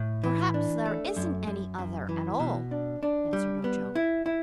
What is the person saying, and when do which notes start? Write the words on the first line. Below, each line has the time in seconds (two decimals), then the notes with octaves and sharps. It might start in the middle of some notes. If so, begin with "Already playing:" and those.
"Perhaps there isn't any other, at all," answered Ojo.
Already playing: A2
0.24 E3
0.54 D4
0.86 A3
1.17 F#2
1.47 F#2
1.78 F#2
2.09 E3
2.39 B2
2.71 D4
3.03 D4
3.33 G3
3.64 B3
3.95 E4
4.26 E4